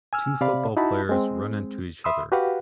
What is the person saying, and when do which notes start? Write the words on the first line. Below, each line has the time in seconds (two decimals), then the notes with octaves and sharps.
Two football players run into each other.
0.13 G#5 E6 F6
0.41 C3 D5 F5 B5
0.77 D#4 E4 F#4 A5 B5
1.09 G#3 C4
2.04 E5 B5 C6 D#6 E6
2.32 F#4 G4 B4 F5 F#5